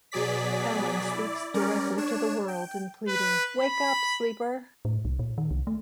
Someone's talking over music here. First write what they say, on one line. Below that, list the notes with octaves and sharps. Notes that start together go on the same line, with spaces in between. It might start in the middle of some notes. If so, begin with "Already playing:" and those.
Allan speaks directly to the world in pleading Wake up, sleeper!
B2 F#3 G#4 D5 B6
E4 D5
G3 C#4 A#4 D5
D4 C#5 E7
G5
B4
B5
A2
C2
A#2
D#3
C2
A3